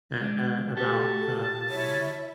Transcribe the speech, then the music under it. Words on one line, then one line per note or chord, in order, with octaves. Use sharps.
at, uh about, um,
G#3 D4
A3 F#4 G4 A4 A5
E4 C#5 E5